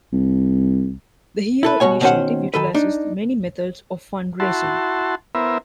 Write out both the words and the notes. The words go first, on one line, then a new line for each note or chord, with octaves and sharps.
The Hero Initiative utilizes many methods of fundraising.
C2
E4 A4 B4
B2 F#4 C#5 G#5
B2 D#3 C#4 C5 F#5
D#3 A4 B4
D4 D#4
E4 F#4 A5 C6
B3 E4 A#4 C5 E5